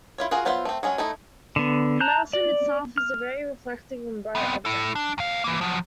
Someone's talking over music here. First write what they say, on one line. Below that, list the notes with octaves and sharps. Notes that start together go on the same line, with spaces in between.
The mountain itself is a very reflective and bright object.
E4 F4 C#5
F4 F#4 G#4 A#4
F#3 B3 F4 C5 E5
A3 C4
F#3 G#3 C#4
A3 D#4 E4
D3 B3
A5 A#5 F#6 G6
D5
F6
B3 C4
E4 A4
D4
E2 F5
E3 A#3
F3 F#3